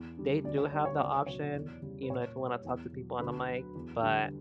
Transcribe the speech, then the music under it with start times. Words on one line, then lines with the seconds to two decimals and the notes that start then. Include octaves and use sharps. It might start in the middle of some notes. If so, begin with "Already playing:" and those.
they do have the option, you know, if you wanna talk to people on the mic, but
Already playing: E2
0.17 D3 G3
0.44 D2 D5
0.58 C#5
0.72 D3 G3 D5
0.85 C#5
1.00 C#2 D5
1.13 C#5
1.26 B2 F#3 C#5
1.41 D5
1.55 E2
1.82 C#3 G3
2.03 B4
2.10 A#2 C#5
2.38 G3
2.64 E2
2.92 B2 F#3
3.19 D2 B4
3.47 D3 F#3
3.75 E2
4.02 D3 G3